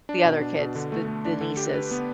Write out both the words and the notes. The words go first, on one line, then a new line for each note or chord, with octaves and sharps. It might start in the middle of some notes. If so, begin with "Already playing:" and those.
the other kids, the the nieces.
D4
B2
D4
B2
D3
A3
A3
D4
D3
G4
B4
B3